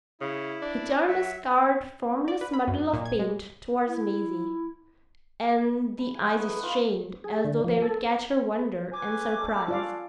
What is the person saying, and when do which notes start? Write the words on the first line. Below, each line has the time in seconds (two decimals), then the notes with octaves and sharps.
He turned a scarred formless muddle of paint towards Maisie, and the eyes strained as though they would catch her wonder and surprise.
0.21 C#3 E4
0.62 D4
1.08 F#3 E5
2.28 D5
2.41 B4
2.53 B5
2.68 F#2
2.93 A#2
3.06 G#6
3.19 G#3
3.87 E4
5.99 B5
6.15 G#4 G5 G#5
6.34 A3 B3 D#4 F#5
6.48 B4
6.61 B3 D#4 F4 B4
7.24 G#4
7.44 D3
7.64 F3
7.82 A4
8.93 C#4 B4 G#5 D6
9.39 C#4 D4 A4
9.68 F4 D5 F5